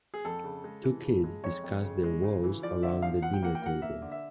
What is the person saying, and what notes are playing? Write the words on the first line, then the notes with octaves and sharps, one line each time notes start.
Two kids discuss their woes around the dinner table.
G#4
F2 A4
C#3
G#3
E3
C#3
G#3
F2 C#5
F2
C#3
G#3
C#3
E3
F3 D5
D3 E5
F3 F5
F3 F#5
G5
A#3 F#5
G5
A#3 F#5
A#3 E5
D3
E5